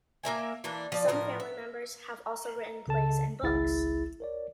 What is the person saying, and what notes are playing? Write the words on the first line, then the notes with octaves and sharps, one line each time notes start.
Some family members have also written plays and books.
A#3 A#4 E5 G#5
E3 A#3 D4
F3 D5
A2 F3 A#4
E5
A#5
C#2 C#3 A4 A5
G#1 C#2 E4 G#4 A6
A#4 C#5 D5